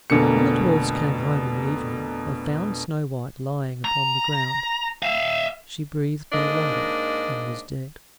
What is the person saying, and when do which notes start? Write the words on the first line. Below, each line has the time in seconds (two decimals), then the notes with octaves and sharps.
When the dwarfs came home in the evening, they found Snow-white lying upon the ground; she breathed no longer, and was dead.
0.10 F1 B2 D3 A#3 C#7
3.85 A#5
5.03 E5 F5
6.32 G#2 A#3 D4 D#4 D#5